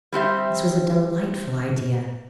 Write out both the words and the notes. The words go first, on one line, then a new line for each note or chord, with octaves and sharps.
This was a delightful idea.
G3 C4 G4 E5